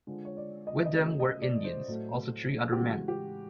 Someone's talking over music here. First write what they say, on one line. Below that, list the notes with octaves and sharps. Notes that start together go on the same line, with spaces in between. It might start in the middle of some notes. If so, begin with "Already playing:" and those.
With them were Indians, also three other men.
D3 F3 G#3
C#5
D5
D#5
E5
D#5
C#3 F#3 A3 D#5
D#5
D5
C5
A2 F#3 A3
G4
C#3 E3 G#3 F#4
G4